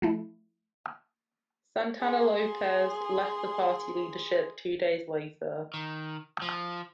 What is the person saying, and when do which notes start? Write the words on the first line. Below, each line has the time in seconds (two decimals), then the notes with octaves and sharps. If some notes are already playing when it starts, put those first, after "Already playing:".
Santana Lopes left the party leadership two days later.
0.02 F3 A3 E4
2.00 G#4 C6
5.74 D#3
6.42 F3